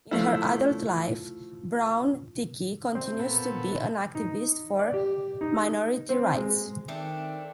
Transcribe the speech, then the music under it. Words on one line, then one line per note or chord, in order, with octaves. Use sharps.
In her adult life, Brown-Trickey continues to be an activist for minority rights.
F3 A3 E4
C4
A#2 B3 A4
D#4
D5
G4
D#4
C4
G#3
D#3 A3 C4 D4